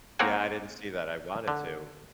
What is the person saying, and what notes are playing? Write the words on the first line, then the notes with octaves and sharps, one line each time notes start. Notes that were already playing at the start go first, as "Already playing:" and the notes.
Yeah. I didn't see that, I wanted to.
A#3 C4 A#4 C#5 F#5 G#5
D3